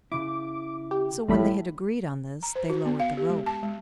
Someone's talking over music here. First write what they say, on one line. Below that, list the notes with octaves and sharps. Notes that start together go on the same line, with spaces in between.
So when they had agreed on this, they lowered the rope.
C#3 E4 D6
G4
A1 A2 F3 G3 C4 B5
A#5
C5
F#4
B3
F5
G4
G#3
A5
G#3